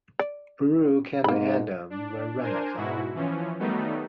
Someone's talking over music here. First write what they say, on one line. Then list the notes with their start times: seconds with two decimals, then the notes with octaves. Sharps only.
Brooke and Adam were runners-up.
0.19 D5
1.24 G#2 A#3 B5
1.90 D4
2.40 D4 A#4 C5 G#5
2.77 G#2 B2 E4 F#4
3.14 E3 F3 C#4
3.59 D#3 F#3 G3 A3 B3 D#4